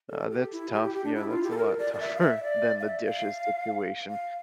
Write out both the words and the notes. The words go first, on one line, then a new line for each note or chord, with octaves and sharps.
Uh, that's tough yeah, that's a lot tougher than the dishes situation.
A4
G4
E4
G4
G4
G4
D4
E4
F4
G4
A4
A#4
D5
D5
E5
F5
E5
E5
D5
F5
E5
F5
F5